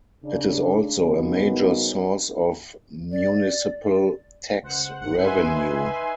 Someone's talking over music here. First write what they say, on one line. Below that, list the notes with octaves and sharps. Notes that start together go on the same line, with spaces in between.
It is also a major source of municipal tax revenue.
C#3 D4
C#3 G3 B3 D#4 F#4 A#4
D5
C#2 C5 F#5
G#1 G2 F#5
D#4 B4 E5 G#5 C6